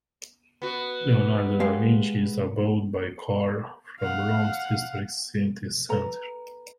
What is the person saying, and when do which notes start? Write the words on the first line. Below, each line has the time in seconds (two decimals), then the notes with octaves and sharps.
Leonardo da Vinci is about by car from Rome's historic city centre.
0.62 B3 F#4
1.60 G#3 G4 F5
4.00 F5 F#5
5.89 A4 B4 A#5